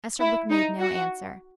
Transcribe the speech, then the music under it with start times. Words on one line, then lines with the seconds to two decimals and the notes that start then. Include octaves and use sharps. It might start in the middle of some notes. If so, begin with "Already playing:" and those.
Esterbrook made no answer.
0.20 E4
0.50 D#4
0.80 F#4